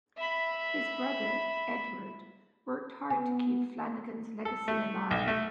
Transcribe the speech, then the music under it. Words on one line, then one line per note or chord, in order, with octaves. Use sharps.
His brother, Edward, worked hard to keep Flanagan's legacy alive.
E5 B5
B3 G#5
A4
A3
B1
A3